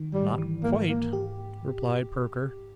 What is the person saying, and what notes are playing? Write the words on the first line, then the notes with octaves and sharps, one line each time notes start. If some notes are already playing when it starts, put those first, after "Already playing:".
'Not quite,' replied Perker.
Already playing: D#3
G#2 G3
E3
G#2 A#3
G#2 A#3
G4